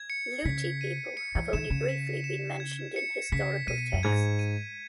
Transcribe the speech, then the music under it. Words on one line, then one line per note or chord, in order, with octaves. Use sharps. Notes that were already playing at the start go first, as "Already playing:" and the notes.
Luti people have only briefly been mentioned in historical texts.
Already playing: G#6
C#7
C#3 B6
D#7
C#7
E3
D#3 E7
C#3
B6
E7
G#6
C#7
C#3 B6
B2 D#7
F#2
G#2 G#6
D#7